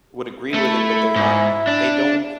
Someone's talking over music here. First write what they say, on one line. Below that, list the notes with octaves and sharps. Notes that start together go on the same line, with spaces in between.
would agree with it, but they're not they don't
A3 E4
G#2
D4